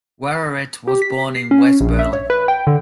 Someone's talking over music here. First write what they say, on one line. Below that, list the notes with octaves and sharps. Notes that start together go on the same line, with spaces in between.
Wowereit was born in West Berlin.
G4
B6
C7
C#4
A#1
E5
C#5
B4
G5
D3